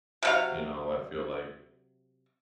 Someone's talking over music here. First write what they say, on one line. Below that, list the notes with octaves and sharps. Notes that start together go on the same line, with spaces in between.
you know, I feel like,
C3 F#3 F5